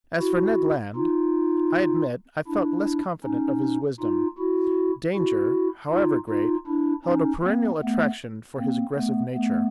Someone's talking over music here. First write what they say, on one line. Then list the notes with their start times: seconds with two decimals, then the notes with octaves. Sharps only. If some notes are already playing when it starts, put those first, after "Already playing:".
As for Ned Land, I admit I felt less confident of his wisdom. Danger, however great, held a perennial attraction for his aggressive nature.
0.19 E4 F#4
0.96 D#4 F4
2.48 D4 E4
3.24 C#4 D#4
4.00 D#4 F4
4.38 E4 F#4
5.15 E4 F#4
5.91 D#4 F4
6.29 D#4 F4
6.67 D4 E4
7.05 C#4 D#4
7.43 A#3 C4
7.82 A3 B3
8.57 A#3 C4
8.95 A3 B3
9.33 A3 B3